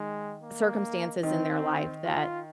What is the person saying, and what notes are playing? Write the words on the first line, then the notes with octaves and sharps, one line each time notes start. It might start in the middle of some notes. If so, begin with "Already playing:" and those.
circumstances in their life that,
Already playing: D#3 G#3
A#3
D#3 C4
F4